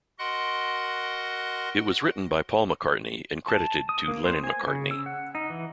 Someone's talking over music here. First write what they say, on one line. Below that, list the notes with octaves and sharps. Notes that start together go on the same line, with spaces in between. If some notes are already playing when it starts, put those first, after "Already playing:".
It was written by Paul McCartney and credited to Lennon-McCartney.
F#4 A#4 D#5 F#5 C6 F#6
A5
D#6
A#3
C5
G#5
C#3
E6
F#5
D#4
E3